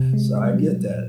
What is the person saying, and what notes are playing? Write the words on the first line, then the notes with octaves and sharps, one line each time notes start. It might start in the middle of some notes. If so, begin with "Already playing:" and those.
so I get that.
Already playing: C3
G#3
G#3
G3
F#3
B2 G3
A#2